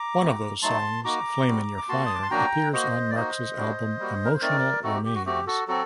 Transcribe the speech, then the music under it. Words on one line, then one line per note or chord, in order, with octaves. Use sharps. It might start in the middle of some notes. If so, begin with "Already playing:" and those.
One of those songs, "Flame In Your Fire", appears on Marx's album "Emotional Remains".
Already playing: A#5 D6
A3 C4 F#4
F#3 A3 D#4 A5 C6
A#3 D#4 F#4 A#5 D6
G3 C4 F#4
D6
A#3 F#4 A5 C6
D#6
D6
C6
F#3 A#3 D4 F#4 G5 A#5
A#3 F#4 C5 D#5
D5
A#3 D#4 F#4 C5 D#5
G3 D4 F#4
G3 A#3 F#4
A#4
C5
A3 C4 D#4 A#4 D5
A3 C4 D#4 F#4 A4
G4
G4
F#4
A3 C4 F#4 G4
F#4 A4
F#3 C4 F#4 A4